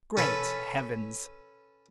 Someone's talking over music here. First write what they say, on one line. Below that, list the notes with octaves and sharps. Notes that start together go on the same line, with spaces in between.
Great heavens!
C#4 A4 B4